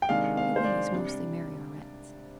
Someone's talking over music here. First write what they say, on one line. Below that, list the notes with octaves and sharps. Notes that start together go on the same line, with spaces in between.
We Lees mostly marry Aurettes.
G5
C3 D#3 G#3 D4 F5
F5
C5
D5
C3 G3 D4